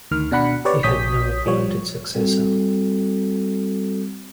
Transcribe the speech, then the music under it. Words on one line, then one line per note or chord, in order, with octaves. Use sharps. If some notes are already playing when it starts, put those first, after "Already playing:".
He had no appointed successor.
D2 D#3 F6
B2 D4 F#5 B5 C#7
G4 B4 C#5 D5
A#1 C#5 D#6 G6 B6
F3 G3 C#5
G3 C4 F#4 A4